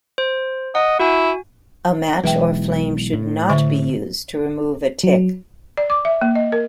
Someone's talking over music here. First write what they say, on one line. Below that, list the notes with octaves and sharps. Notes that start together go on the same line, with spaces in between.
A match or flame should not be used to remove a tick.
C5
D#5 F#5
E4 F#4 G#5
B1 E3 G#3 B4 E5 G5
A2
D3 E5
F#3
D5
D6
E5
A#3
D#5
A#4